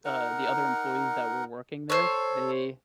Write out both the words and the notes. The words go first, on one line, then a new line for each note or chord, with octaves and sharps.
uh, the other employees that were working there, they
D#4 A#4 F#5
A4 C5 C#5